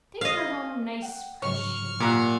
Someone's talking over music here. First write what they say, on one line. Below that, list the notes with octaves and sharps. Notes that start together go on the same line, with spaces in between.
Take her home nice preshent.
D#5 F5
F#5 G5
G#2 C#3 F#3 C#5 C#6 F6
A#2 G4 A#4 F#5